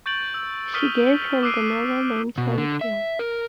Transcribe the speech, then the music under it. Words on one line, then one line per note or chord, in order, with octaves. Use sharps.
She gave him the middle name Champion.
C#6 G6 A6 D7 F#7
E6
C#6 D#6 F6 B6 D#7 G7
D6 E6 F#6 C7 D7 D#7
B2
D3
E5
A#4